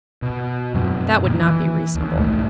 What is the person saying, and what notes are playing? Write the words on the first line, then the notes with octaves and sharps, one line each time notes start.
That would not be reasonable.
B2
F#2 B2 F#3 C4
A#2 D#3 A#3
E3
D#2
B1 G#2 D#3 A3